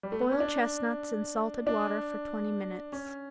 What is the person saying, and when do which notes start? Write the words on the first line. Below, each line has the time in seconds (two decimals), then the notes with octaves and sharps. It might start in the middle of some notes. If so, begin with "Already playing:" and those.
Boil chestnuts in salted water for twenty minutes.
0.03 G3
0.12 A3
0.21 B3
0.32 C#4
0.40 D4
1.67 D4
2.92 C#4